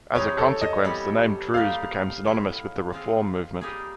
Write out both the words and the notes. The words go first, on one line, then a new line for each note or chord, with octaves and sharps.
As a consequence, the name "Druze" became synonymous with the reform movement.
C3 E3 G#3 C4 D#4 C#5
A4
D#5
C3 E3 G3 B3
D3 G3 A#3 D#4 G4 F5
A2 F#3 B3 E4
F3 G#3 C4 F4
G3 A#3 D#4 G#4